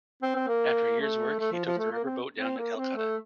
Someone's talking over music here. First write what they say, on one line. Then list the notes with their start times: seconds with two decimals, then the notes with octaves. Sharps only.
After a year's work, he took the river boat down to Calcutta.
0.22 C4
0.36 C4
0.48 A#3
1.00 A3
1.39 A3
1.52 F3
1.65 F3
1.78 A3
1.92 A#3
2.05 C4
2.37 C4
2.57 A#3
2.76 C4
2.96 A3